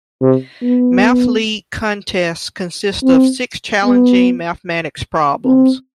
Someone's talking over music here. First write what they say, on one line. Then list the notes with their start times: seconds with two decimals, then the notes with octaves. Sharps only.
Math League contests consist of six challenging mathematics problems.
0.22 C3
0.62 B3
3.03 C4
3.84 B3
5.45 C4